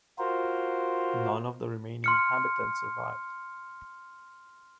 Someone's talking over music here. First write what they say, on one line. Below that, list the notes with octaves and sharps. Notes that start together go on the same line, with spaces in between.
None of the remaining inhabitants survived.
F4 F#4 A#4 C5
C6 F6 C#7